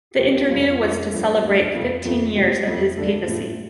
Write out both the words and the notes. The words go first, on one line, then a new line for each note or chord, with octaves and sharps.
The interview was to celebrate fifteen years of his papacy.
C3 F3 A3 G4
G4
F2 C3 G3 F4
D4
F4
F2 F3 A3 F4
G2 F3 A3
G2 G3 D4
D4
F2 C3 A3 F4
F2 F3 A3
C3 G3 G4
F2 F3 A3
G2 D3 G3 A4
A2 F3 A3